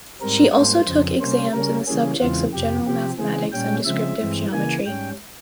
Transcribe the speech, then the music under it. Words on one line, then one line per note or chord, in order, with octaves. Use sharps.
She also took exams in the subjects of General Mathematics and Descriptive Geometry.
G#2 G3 C4 A#4
G#2 G3 A#3 C5
F2 C#3 F3 C4
C3 G3 A#3 C#4 C5
C#3 G3 C#4 A#4
C#3 E3 G3 A#3 C#4 G#4
E2 C#3 E3 G#3 C4 F4
F2 C3 F3 G4
C3 F3 C4 G4
C#3 E3 G#3 C4 G#4
A#2 G3 C#4 G5
C#3 F3 G#3 C4 E5
G2 E3 G#3 C4
C#3 E3 A#3 G#5
G#2 G3 C#4 G5